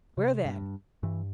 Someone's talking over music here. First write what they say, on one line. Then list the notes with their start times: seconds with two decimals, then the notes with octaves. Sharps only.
Where then?
0.17 C3
0.45 G2
1.03 G2 E3